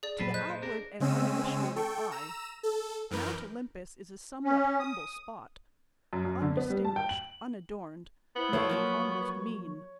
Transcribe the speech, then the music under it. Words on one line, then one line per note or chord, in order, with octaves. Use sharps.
To the outward and uninitiated eye, Mount Olympus is a somewhat humble spot,--undistinguished, unadorned,--nay, almost mean.
G#4 D5
A#2 F3 F#3 A4 B4 C7
C5 D#5 F#6
A#2
D4 G#4 A#4
C#3 G#3 C4 C#4 E6 D#7
A4 G5 C#6
A#5 E6 E7
A4
F#2 E3 A#4 B4 G6
C#4
D#6
F#2
F#2
D3
B3
G3
A5
G5
F#7
B3 E4 C5
F3 A3 E4 C#5 C#6
F3 F#3 A#3